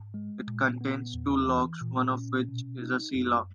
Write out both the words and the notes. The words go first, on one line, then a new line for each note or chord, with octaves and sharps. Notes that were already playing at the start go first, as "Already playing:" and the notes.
It contains two locks one of which is a sea lock.
Already playing: G#2
G#3
A#2
B3
E2
E3
A#2
C#4
B2
D#4
F#2